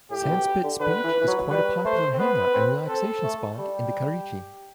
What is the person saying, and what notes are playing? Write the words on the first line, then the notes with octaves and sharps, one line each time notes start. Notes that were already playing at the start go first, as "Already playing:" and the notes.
Sandspit beach is quite a popular hangout and relaxation spot in Karachi.
A2 G4
A2
B2
D3
D3 B4
E3
E3
F#3
G3 B4
A3 C5
C4
B3 B4
B3
C4
C4 A4
A3
G3 G4